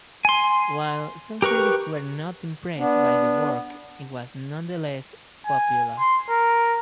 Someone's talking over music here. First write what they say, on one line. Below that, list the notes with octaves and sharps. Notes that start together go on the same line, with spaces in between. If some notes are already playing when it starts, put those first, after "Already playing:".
While some critics were not impressed by the work, it was nonetheless popular.
G#5 C6
G4 A#4 B4 C#6
B3 D4
G#5
C6
A#4